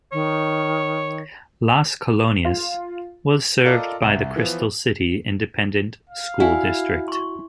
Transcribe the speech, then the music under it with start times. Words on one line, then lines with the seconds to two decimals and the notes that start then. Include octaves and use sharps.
Las Colonias was served by the Crystal City Independent School District.
0.13 D#3 C#5
2.45 F4
3.65 F4 A4 A#4 D5 D#5
4.02 C2
4.36 E3 F3 B3
6.09 F5
6.40 E4 F#4 D5 G#5
7.08 C6 C#6